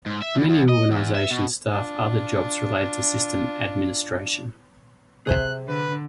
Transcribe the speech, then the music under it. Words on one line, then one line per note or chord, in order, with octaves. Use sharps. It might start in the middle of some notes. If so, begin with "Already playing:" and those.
Many organizations staff other jobs related to system administration.
G#2
E5
E2
E2
D#5
E2
E5
B2
D4 F4
C3 G#4 C5 E5 F#6
D3 B4